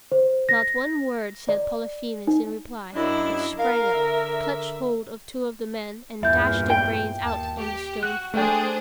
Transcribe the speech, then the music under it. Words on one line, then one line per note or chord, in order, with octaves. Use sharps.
Not one word said Polyphemus in reply, but sprang up, clutched hold of two of the men, and dashed their brains out on the stone floor.
C5
A#6
D5
D#4
F#2 D4 E4 D#5
A#4 F5
D3 E5
E2 G2 A#2 E5 G6
G5
D#2 A5
G4
F#4 F#6
A3 D4 G#4 C5 G5